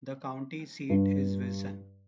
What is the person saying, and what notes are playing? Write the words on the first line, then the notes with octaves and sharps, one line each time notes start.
The county seat is Wilson.
G2